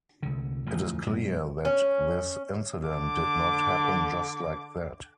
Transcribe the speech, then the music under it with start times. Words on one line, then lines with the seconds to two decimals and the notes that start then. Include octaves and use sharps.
It is clear that this incident did not happen just like that.
0.23 C2 D3
0.66 D1 A1 D#2 F3
1.06 F#2 B2 G#3
1.65 C#4
2.88 D3 D6